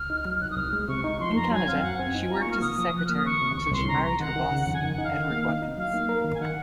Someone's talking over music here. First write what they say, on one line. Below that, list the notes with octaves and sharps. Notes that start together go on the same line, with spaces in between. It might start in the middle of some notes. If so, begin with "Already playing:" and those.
In Canada, she worked as a secretary until she married her boss, Edward Watkins.
Already playing: C#2 F6
D#4
F#3
C2 F#6
D#6
C2 F6
G#3 F6
C3 C#6
D#4 C#6
F3 C6
F2 A#5
F#3 G#5
C4 F5
F#2 F#5
C4 G#5
D#4
F4 A#5
C#6
A#3 F6
C3 D#6
F3
F3 F#6
A#3 F6
D#6
D#3 C#6
C3
C2 C#6
C2 C6
C3 A#5
C2 A#5
D#3 F#5
D#3
C#3
F2
G#5
D#3 F#5
F#5
D#4
F5
D#3
A#3
D#4
D#4
F#3 F5
A#3
A#4
D#3
G#5
D#3 F#5